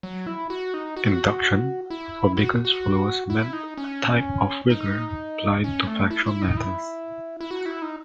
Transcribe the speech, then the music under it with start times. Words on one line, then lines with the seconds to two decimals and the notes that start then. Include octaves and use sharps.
Induction, for Bacon's followers, meant a type of rigour applied to factual matters.
0.03 F#3
0.27 E4
0.50 F#4
0.74 D#4
0.97 F#4
1.90 E4
2.37 F#4
2.65 F#4
3.30 E4
3.53 D#4
3.77 C#4
4.70 D#4
5.64 C#4
5.87 A3
6.10 E4
6.26 E4
6.42 D#4
6.57 E4
7.41 E4
7.51 F#4
7.66 E4
7.82 D#4